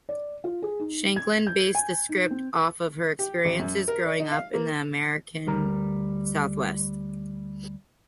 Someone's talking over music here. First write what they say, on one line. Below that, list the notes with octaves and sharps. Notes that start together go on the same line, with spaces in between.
Shanklin based the script off her experiences growing up in the American Southwest.
D5
F4
G#4
D#4
G#6
G6
G#5
D#4
C4
G4
A1
F#2
A#4
D5
D#4
F5
A#3
D2 G3 A#4 A#5